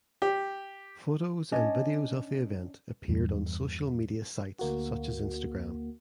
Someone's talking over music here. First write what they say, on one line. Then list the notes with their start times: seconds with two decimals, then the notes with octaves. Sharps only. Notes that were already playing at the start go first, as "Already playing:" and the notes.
Photos and videos of the event appeared on social media sites such as Instagram.
0.22 G4
1.52 C#4 D4 C#5 D#5
3.08 E2 G2
4.59 D2 A#3 F#4